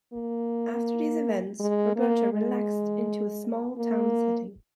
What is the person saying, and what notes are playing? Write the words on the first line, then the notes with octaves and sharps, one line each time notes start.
After these events, Roberta relaxed into a more small-town setting.
A#3
G#3
A#3
G#3
A#3